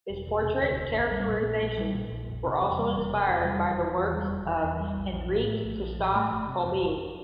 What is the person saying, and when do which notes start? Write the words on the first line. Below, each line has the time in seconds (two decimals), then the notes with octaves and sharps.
His portrait characterizations were also inspired by the works of Heinrich Christoph Kolbe.
0.10 E1
0.27 E1
0.43 C3
0.61 D2
0.76 E1
0.94 A#1
1.11 G3
1.27 A#2
1.44 A#1
1.61 A#1
1.77 G3
1.94 A#2
2.11 A#1
2.28 F1
2.44 C3
2.61 E2
2.79 G3
2.96 F1
3.13 C3
3.29 E2
3.45 G3
3.63 F1
3.80 E3
3.96 E2
4.14 G3
4.29 F1
4.46 E3
4.64 E2
4.80 G3
4.97 A#1
5.13 F3
5.31 A2
5.48 A3
5.64 A#1
5.82 F3
5.99 A2
6.15 A3
6.32 G1
6.48 C3
6.65 F2
6.82 G1